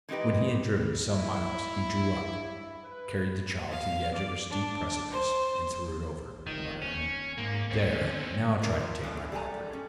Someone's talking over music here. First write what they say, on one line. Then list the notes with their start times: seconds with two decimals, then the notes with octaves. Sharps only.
When he had driven some miles he drew up, carried the child to the edge of a steep precipice and threw it over, muttering, 'There, now try to take my property!'
0.09 E3 G#3 D#4 G4 B4
1.09 E4
2.84 B4
3.71 F5
4.14 D5
4.50 D4
5.11 C5
6.47 F1 D#3
6.82 C#4
7.38 G#2 A#3
7.71 D2 C4 C#4
8.01 D3
8.62 A#2 D3 A#4
8.78 F3 F4 A#4
9.03 E3 F3 D4 F4 A4
9.32 G3 G#3 A4 G5 G#5 A#5
9.73 C#4